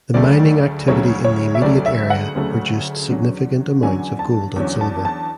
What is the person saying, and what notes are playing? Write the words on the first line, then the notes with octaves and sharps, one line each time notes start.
The mining activity in the immediate area produced significant amounts of gold and silver.
D2 C#3 F#3 A3 D5
D2 C#3 F#3 A3 C#5
C#5
E5
D2 C#3 F#3 A3 D5
E5
F#5
D2 C#3 F#3 A3
E2 D3 F#3 C#4
E2 D3 F#3 C#4 G#5
A5
E2 D3 F#3 C#4
A5
A5